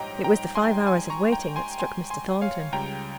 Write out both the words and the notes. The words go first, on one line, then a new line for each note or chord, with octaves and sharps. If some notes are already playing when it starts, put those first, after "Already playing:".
It was the five hours of waiting that struck Mr. Thornton.
Already playing: A#1 G#2 G3 C#5 D#5 G5 A#5
G5 A#5
G#5 C6
G#5 C6
A#5 C#6
G5 A#5
G#5 C6
G#5 C6
G#5 C6
C#5 F5
C#2 C#3 G3 G5 A#5